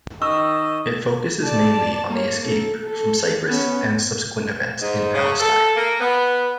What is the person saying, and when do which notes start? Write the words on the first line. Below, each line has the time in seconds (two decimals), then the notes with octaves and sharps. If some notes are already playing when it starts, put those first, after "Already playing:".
It focuses mainly on the escape from Cyprus and subsequent events in Palestine.
0.22 D#3 D#5 C#6 E6
1.45 D5 A5
2.08 A#3 C#5
2.46 A4
2.84 A4
3.47 B3 C#4
4.81 G#2
5.14 C#3
5.39 A4
5.76 A#3
6.00 B3